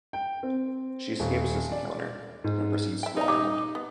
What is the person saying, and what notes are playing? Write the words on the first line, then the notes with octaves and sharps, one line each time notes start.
She escapes this encounter and proceeds to the island.
G5
C4
D#1
D5
G#2
E5 G5
B3 D#4 A#5
G4
B3